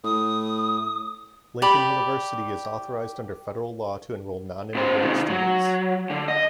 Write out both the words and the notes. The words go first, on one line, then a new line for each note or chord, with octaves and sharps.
Lincoln University is authorized under Federal law to enroll nonimmigrant students.
A2 D#6
G4 D5 B5
B2 C5
C3 D#3
F#3
D3
D#5